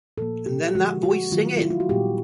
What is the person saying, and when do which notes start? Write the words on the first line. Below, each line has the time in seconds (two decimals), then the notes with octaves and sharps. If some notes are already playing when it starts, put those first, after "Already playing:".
And then that voice singing!
0.18 A#2 F3 A#3 A4
0.46 G4
0.75 D3 F3 G#3 F#4
1.03 F#4
1.32 D#3 F#3 A3 F4
1.57 F4
1.61 E4
1.70 F4
1.80 F#4
1.89 A#2 G3 B3 G4